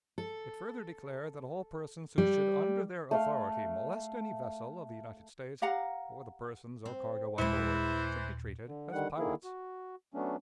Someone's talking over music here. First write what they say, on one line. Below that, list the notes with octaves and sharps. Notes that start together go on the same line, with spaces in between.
It further declared that all persons who should under their authority molest any vessel of the United States, or the persons or cargo on board, should be treated as pirates.
A4
G3
A3 F5
G4 F5 F#5 A#5
C4
D#2 A#2 E3 G#3 E4 B4 C5 C#7
D3
D3 D#3 G3 F#5
D3 D#3 A#3 E4 G#4
F#4
F#3 A3 B3 C#4 D4